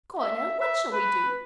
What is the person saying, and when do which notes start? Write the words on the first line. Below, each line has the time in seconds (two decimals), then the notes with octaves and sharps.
Coronel, what shall we do?
0.19 E5
0.59 E5
0.93 B4